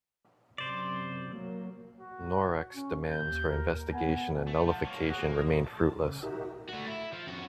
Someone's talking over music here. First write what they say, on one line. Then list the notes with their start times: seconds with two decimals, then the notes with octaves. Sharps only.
Norex' demands for investigation and nullification remained fruitless.
0.58 F#2 C3 C5 D5
1.29 F#3 A#3
2.01 F#4
2.75 C#4
3.10 D#2 G6
3.48 A#4
3.93 B3 G#5
4.47 A3
4.65 F3 F#5 A5
4.84 A#3 C#4
5.07 F#4 G#4
5.20 A#3
5.35 D#6
5.64 A5
6.03 C#3
6.23 D#4 F#4 G4 A#4 E5
6.69 A3 F#4
6.88 E4
7.13 F3
7.28 F2 F#4